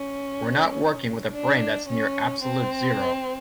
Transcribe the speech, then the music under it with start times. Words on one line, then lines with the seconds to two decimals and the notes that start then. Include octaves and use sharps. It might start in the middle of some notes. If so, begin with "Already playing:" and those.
'We're not working with a brain that's near absolute zero.
Already playing: C#4
1.32 D4
1.88 C#4
2.44 C4